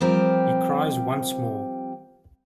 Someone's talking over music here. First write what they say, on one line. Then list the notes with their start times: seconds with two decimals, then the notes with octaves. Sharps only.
He cries once more.
0.01 F3 G3 C4 G4 A#4